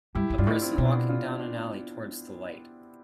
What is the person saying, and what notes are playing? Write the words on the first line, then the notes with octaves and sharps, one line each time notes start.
A person walking down an alley towards the light.
G2 E4 G4
F2
G2 D4 F4
A2
C4 E4
B2
B3 D4
D4 F4
D4 F4